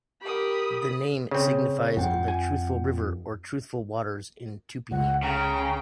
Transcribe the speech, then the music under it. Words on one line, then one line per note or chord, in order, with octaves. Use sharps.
The name signifies "The truthful river", or "truthful waters" in Tupi.
G4 A#4 B5 D#6
C#3 C4 C#5
F2 F3 F#5 G5
G#5
C#2 F#5
C#3 G5 A#5